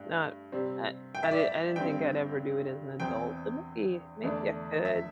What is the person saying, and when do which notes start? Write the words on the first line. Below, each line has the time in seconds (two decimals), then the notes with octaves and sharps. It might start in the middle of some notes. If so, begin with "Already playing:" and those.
not I I did I didn't think I'd ever do it as an adult, but maybe maybe I could.
Already playing: G2 A3
0.52 C3 G3 C4
1.15 G5
1.23 E5
1.31 D5
1.39 E5
1.76 G2 D3 C4 G5
3.00 E2 E3 C4 G5
4.23 E2 D3 A3 D4
4.85 E5